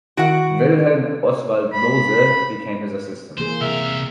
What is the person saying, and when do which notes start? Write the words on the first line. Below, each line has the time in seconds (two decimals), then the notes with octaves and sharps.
Wilhelm Oswald Lohse became his assistant.
0.17 D#3 E4 F#4 F#5 D7
1.73 B5
3.38 E3 A#3 G#4 C5
3.61 C3 A#4 E5